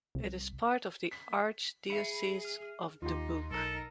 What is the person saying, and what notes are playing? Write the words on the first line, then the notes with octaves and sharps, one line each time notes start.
It is part of the Archdiocese of Dubuque.
C2
B6
G#4 E5 B5 C#7
F6
D#2 D#4 F4 G4 C6
B1 D#4 A4 A#4